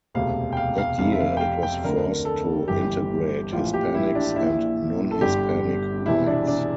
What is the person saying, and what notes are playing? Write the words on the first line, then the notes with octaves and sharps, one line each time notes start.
That year it was forced to integrate Hispanics and non-Hispanic whites.
E1 D2 C3 F5
G5
F5
F5
F1 F2 C3 F5
E5
F5
G5
F5
G5
D2 D3 A#4
A4
G1 G2 E3 G4
A#1 A2 E3 F4
G4
E4
D4
A#1 A#2 E4
A4
G1 G2 D3 G4
E1 E2 C3 E4
D4
D4